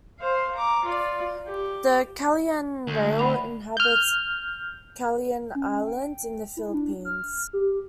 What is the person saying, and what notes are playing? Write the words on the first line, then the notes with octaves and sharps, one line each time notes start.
The Calayan rail, inhabits Calayan Island in the Philippines.
C5 F5
A#5 D6
F4 D5
G4
D2
F#5 B5 F7
F6 G6
C#4
G5
E4
D4
F6
G4